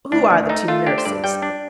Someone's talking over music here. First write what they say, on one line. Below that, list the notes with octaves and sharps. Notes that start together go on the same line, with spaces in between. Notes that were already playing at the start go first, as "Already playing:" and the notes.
'Who are the two nurses?'
D2 D4
D2
A3 D#4
A3 F4
D4 G4
C5
G2 D5
G3 G5
D4